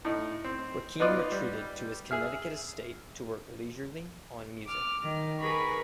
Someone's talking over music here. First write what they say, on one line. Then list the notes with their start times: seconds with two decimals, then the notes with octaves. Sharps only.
Rakim retreated to his Connecticut estate to work leisurely on music.
0.05 A2 D#4
0.44 C4
1.00 B3 D#4 F4 B4 D5 D#5
1.32 G3
2.11 G#4 E5 F6
4.66 D6 F6
5.02 D#3
5.40 G#4 A#4 B4 B5 C#6